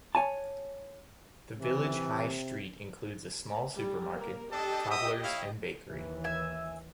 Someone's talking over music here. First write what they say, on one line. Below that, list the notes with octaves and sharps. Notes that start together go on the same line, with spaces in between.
The village high street includes a small supermarket, cobblers and bakery.
C#5 G#5 A5
C3 E3
G3
A#3 A#4
D4 G4 A4 D#5 G5 A5
E5 D#6
E4 C#5 F5
D#2 E3
E5 G#5